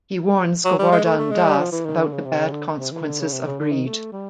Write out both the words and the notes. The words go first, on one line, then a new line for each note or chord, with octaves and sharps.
He warns Govardhan Das about the bad consequences of greed.
F#3
G3
G#3
A3
A3
G#3
G3
F3
E3
D#3
D3
C#3
C3
C#3
D3
C3
E3
D3
C#3
C3
C#3
D3
D#3
A3
G3